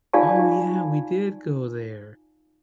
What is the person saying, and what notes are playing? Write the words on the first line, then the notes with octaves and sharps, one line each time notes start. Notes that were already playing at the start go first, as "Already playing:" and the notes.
"Oh yeah, we did go there."
D#4 F4 D5 F5 G#5 A5